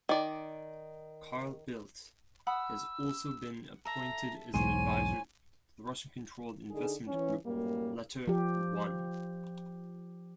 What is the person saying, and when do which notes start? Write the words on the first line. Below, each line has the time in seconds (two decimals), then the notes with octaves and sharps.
Carl Bildt has also been appointed as an advisor to Russian-controlled investment group LetterOne.
0.09 D#3 D5
2.47 F#5 B5 D#6 E6
3.85 A4 E5 A#5
4.54 B1 E2 G#2 C5 C#5 G#5 D#7
6.71 D3 D#4 G#4
7.08 E3 C#4
7.45 F#2 A2 G3 A#3
8.27 F3 G4